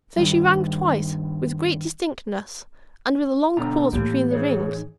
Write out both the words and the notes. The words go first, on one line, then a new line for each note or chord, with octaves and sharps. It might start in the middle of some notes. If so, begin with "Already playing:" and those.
So she rang twice; with great distinctness, and with a long pause between the rings.
G2 D#3 G3
B2 D3 A#5
A2 E3 A#3 G4
D#4 G#4 C#5